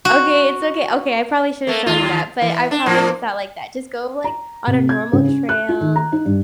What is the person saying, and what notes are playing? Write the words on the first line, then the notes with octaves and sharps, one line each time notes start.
Okay, it's okay. Okay, I probably shouldn't tell you that, but I promise it's not like that, just go, like, on a normal trail
F#4
A3 A#3
D#2 F4
E3
D4
A2 F3 A#3
A#5
C3
G#6
C#3
C#4
F#6
F4
D#3
A#5
D#4
G2